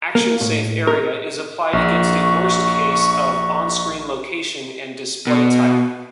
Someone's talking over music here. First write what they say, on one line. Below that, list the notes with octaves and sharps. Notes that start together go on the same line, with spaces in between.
Action-safe area is applied against a worst case of on-screen location and display type.
A#3
A2
A#4
A#1 C#6
B2